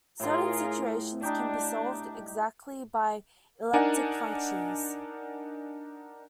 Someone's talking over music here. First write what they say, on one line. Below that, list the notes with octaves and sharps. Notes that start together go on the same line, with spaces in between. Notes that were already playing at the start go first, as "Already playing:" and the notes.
Certain situations can be solved exactly by elliptic functions.
A2 F4 G#4 A#4 C6
D4 D#4 G4
D4 D#4 A#4 D5 F#5 G#5